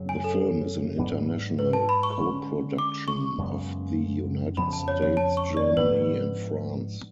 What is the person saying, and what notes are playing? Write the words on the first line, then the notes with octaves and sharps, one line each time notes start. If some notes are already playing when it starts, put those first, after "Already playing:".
The film is an international co-production of the United States, Germany and France.
Already playing: F#2 C#3 F#3
G#5
A4
G#2 F#3 B3 D4
B4
A5
B5
C#6
D3 G#3 C#4
D6
C#6
F#2 C#3 G#3 B3
F2 C#3 F3 B3 B5
A5
C#5
C#5
A5
C#6
D5
G#2 F3 B3 D4 B4